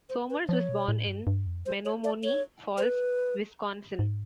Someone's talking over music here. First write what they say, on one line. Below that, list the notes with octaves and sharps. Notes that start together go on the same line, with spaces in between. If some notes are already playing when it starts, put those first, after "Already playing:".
Somers was born in Menomonee Falls, Wisconsin.
C5
B4
F3 C#5
B2
A2
G2
G2
F2
C5
C#5
D5
C#5
C5
B4
G#2